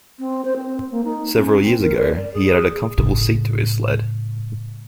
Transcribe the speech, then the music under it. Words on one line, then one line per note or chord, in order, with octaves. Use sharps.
Several years ago, he added a comfortable seat to his sled.
C4
C5
C4
A#3
D#4
C#4
C4
A#4
D5
D5
G#4
G#4
A2 C#3